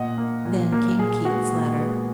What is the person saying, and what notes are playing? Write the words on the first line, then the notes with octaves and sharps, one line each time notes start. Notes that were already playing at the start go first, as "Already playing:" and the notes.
Then came Keith's letter.
Already playing: A#2 D#5 F#5
A#3
A#2
A#3
A#2 G#4
G#3 B3 F#4
A#2
G#3 B3